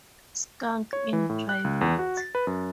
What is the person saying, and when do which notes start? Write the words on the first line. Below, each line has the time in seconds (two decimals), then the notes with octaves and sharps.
Skunk in private.
0.93 C#5
1.13 E3
1.29 A2
1.49 F#6
1.64 C#2
1.81 E2
1.99 F#4
2.17 A6
2.35 B4
2.47 F#2